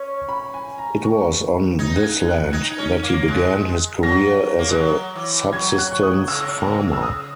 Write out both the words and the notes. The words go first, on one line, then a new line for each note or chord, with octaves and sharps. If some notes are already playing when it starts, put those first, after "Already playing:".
It was on this land that he began his career as a subsistence farmer.
Already playing: C#4
B5
G#5
A#5
C#6
D#4 G#6
F#6
G#6
F#6
D#4 G#6
C#4
A#3
G#3
F#3 A#6
A#3
G#3
F#3
E3
F#3 G#6
F#6
C#6
D#6
C#3 E6
E6
D#6